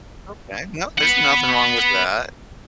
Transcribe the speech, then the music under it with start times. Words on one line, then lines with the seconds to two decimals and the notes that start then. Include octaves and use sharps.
Okay, well there's nothing wrong with that.
0.99 B4 F#5